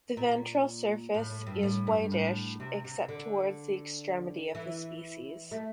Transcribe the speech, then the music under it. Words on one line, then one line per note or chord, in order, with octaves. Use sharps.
The ventral surface is whitish except towards the extremity of the species.
A#2
A2
A2
G2
A2
G2
A2
C3
C3
D3
E3
A3